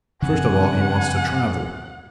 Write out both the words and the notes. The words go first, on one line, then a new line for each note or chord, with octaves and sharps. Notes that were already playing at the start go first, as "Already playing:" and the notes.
First of all he wants to travel.
F#2 C#3 F3 C4 F#5 G#5